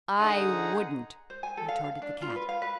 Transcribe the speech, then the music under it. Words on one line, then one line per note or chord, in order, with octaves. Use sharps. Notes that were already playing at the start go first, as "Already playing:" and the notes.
"I wouldn't!" retorted the cat.
D3 D#4 G#4 F#5 A#5 D#6
C5
G#5
A4
F5
F5
D4
F4
B4
F5
B4